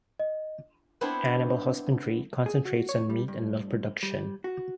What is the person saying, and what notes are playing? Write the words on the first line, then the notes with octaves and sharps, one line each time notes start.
Animal husbandry concentrates on meat and milk production.
D#5
B3 C4 D4 E4 C5 C#5
G#4
F#4
C#5
G3
G2
G3
F#4